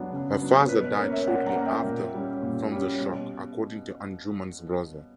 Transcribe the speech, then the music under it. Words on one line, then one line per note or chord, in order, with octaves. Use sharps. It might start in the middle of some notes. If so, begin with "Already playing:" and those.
Her father died shortly after from the shock, according to Anjuman's brother.
Already playing: F#3 B3 D4
C#3
F#3 B3 D4
B2 B4
B4
A#3 C#4 A#4 C#5
C#5 E5
B2 D5 F#5
F#5 A#5
A#3 C#4
E5 G5
A#2
G3 C#4
A#2
G3 C#4
B2